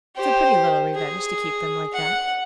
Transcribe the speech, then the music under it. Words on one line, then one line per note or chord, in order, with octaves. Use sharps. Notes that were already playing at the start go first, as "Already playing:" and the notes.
It's a pretty little revenge to keep them like that.'
G4 C5
G#4
F#5